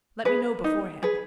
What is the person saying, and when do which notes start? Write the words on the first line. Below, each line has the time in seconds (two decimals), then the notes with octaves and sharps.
Let me know beforehand....
0.25 G#4 B4
0.64 D#4
1.03 G#4 B4